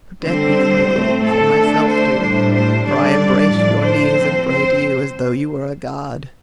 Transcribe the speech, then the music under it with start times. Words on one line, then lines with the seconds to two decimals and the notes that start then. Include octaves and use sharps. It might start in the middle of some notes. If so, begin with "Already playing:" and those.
Protect these my goods, and myself too, for I embrace your knees and pray to you as though you were a god.
0.24 D3 G3 C4 C5
0.90 A2 A3 C4
1.22 A4
1.55 D3 A3 D4
1.87 C5
2.20 A2 G3 D4 C5
2.53 C5
2.85 D3 G3 D4 D5
3.50 A2 F3 D4
3.82 C5
4.16 F3 C4
4.48 C5